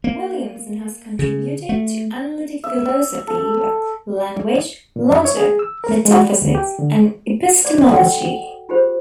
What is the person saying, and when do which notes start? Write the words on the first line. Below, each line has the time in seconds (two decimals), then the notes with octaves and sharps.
Williamson has contributed to analytic philosophy of language, logic, metaphysics and epistemology.
0.04 A#3
1.19 C#3
1.69 A3
2.64 E5
3.27 A4
4.96 A#2
5.10 F#2
5.25 C#5
5.37 G#4
5.59 E6
5.84 A#4
6.05 G#3
6.21 G3
6.42 D2
6.55 G4
6.79 D3
7.65 D5 D6
7.93 F#4 A4 F#5 G5
8.69 F4 G4 G#4 C5